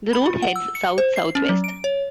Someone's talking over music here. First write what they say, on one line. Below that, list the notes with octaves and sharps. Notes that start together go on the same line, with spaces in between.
The route heads south-south-west.
B5
F4
F#5
E6
C#7
C5
C7
C#4
F#3
D7
C#5